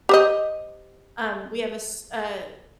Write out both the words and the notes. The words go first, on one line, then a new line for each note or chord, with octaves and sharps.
Um, we have a s a
G4 C5 D#5